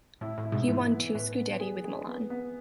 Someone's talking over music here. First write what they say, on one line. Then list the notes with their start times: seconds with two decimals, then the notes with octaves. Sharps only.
He won two Scudetti with Milan.
0.21 A2 E4
0.38 A2
0.45 E4
0.52 G#2 B2
0.67 G#2 E3
0.92 B3
1.15 A2 B4
1.37 B3
1.60 G#4
1.85 G#4
2.07 B3
2.30 B3